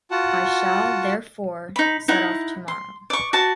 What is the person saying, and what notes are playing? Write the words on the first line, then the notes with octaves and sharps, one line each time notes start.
I shall, therefore, set off tomorrow.
F4 F#4 F#5 A5
D#4 B5
D#4 E4 F#5
C6
D5 C#6
F#4 A5